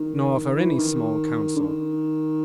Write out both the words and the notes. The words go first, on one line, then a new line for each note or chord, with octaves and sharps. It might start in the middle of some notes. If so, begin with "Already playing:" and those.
Nor for any small Council.
Already playing: D#3
D#3
E3
D#3
D3
D#3